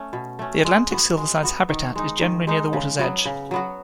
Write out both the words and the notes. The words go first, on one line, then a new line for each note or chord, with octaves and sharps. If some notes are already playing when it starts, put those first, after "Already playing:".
The Atlantic silverside's habitat is generally near the water's edge.
Already playing: A3 C#4
B2
A3 C#4
G#3
B3 F#4
G#3
B3 F#4
D#3
G#3 D#4
D#3
G#3 D#4
C#3
F#3 B3 F#4
C#3
F#3 B3 F#4